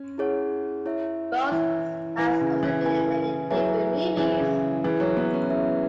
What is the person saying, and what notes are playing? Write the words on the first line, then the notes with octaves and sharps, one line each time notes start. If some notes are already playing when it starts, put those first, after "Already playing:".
Rose has also been in many different movies.
Already playing: C#4
E4 G#4 C#5 F#5
E4 C#5 E5
E3 E4 C#5 E5
E3 E4 B4 G#5
C#3
E3
E4 B4 G#5
F#3 E4 G#4 B4 E5 G#5
E3 E4 G#4 B4 E5 G#5
C#3
E3 E4 G#4 B4 E5
F#3
B3
C#4
E4 G#4 B4 E5